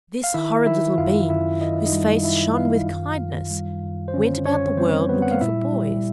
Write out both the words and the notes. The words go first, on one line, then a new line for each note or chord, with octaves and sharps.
This horrid little being, whose face shone with kindness, went about the world looking for boys.
F5
D#3 E4 E5
D#3 E4 E5
F#2 F4 F5
F#2 E4 E5
D#3 D#5
E5
D#4 D#5
G3
D#3 E4 E5
D#3 F4 F5
F#2
F#2
G3
F#2
C5
D3 C#4 C#5
F#2 C#4 C#5
G3 C4 C5
G3 B3 B4
F#5
F5
A#2 E4 E5
G3